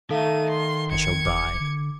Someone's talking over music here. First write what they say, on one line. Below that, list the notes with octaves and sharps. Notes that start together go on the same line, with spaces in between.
I shall die.
D#3 A3 A4 F5 D#7
C6
G1 G#6 C#7
F1 D6
D3